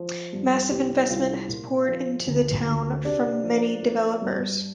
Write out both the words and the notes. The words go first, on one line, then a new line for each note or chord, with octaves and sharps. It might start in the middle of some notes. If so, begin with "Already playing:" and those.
Massive investment has poured into the town from many developers.
Already playing: F3
G2
C2 G4
C2 F4
A#2
F3
D2
D2
C3 D4
F3
F3
G2